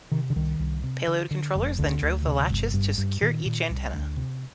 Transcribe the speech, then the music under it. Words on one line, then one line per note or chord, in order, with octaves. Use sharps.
Payload controllers then drove the latches to secure each antenna.
C3 D#3
D3
C2 D#3
C2
C3
D3
D3
F1
D2 D3
D2
C3
G1
G2
G2
A#2 D#3
A#2
C2
D2
C3